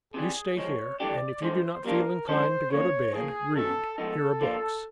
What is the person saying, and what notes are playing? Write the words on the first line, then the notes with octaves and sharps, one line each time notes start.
You stay here, and if you do not feel inclined to go to bed, read--here are books.
C3 E3 G3 G#4
A2 F3 G#3 C#5
G2 E3 A3 D4 G4 D5
D3 F3 G#3 C5
A#2 G3 A#3 D4 F4 A#4
F3 G#3 C#4 E4 A4 C5
C#3 F3 A#3 C#5
A2 F3 A#3 G#4
F#2 D#3 F#3 B3 A4
A2 F3 G#3 B3 D#4 A4
D3 F3 A#3 D4 F4